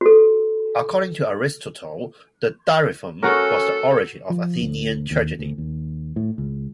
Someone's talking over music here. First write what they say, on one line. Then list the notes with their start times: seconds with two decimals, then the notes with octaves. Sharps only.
According to Aristotle, the dithyramb was the origin of Athenian tragedy.
0.01 F#4 A4
3.23 C#4 F#4 A4 A#4
4.30 F3
4.60 D2
5.11 D#2
5.39 D2
5.58 D#2
6.16 A2
6.38 C#2